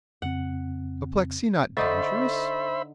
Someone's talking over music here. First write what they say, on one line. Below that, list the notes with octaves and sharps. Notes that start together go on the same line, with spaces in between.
"Apoplexy not dangerous?"
F2 C#3 C4 F#5
D3 D#4 A4 C5 E5 B5 C#6 A6